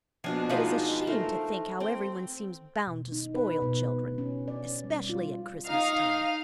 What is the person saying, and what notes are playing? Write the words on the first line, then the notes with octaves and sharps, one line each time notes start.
It is a shame to think how every one seems bound to spoil children, especially at Christmas time.
B2 F3 D4 G#5
G#3 B3 D#4 F4 B5
A3 A#4 C5
C4 G5
B2
D#4
B4
B2
C#4
D5
G3
F4
D#4 F5